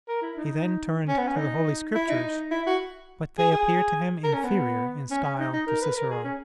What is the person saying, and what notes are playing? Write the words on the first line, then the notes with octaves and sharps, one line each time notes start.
He then turned to the Holy Scriptures, but they appeared to him inferior in style to Cicero.
A#4
E4
D#4
C#4
B3
C#4
D#4
E4
D#4
E4
F#4
G#4
G#4
A#4
C#4
B3
C#4
C#4
D#4
D#4
A#4
B4
A#4
G#4
C#4